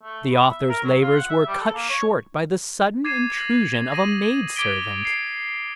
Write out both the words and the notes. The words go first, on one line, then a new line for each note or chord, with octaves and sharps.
The author's labours were cut short by the sudden intrusion of a maidservant.
A3
B3
E5
A#4
F#3
F4
F#5
E5
G3
A4
A#3
C#5
D6 G#6 A6 C7 D#7 E7
A#6 F#7
D#6 A#6 D#7
D6 G#6 A6 B6 D7 G7
C7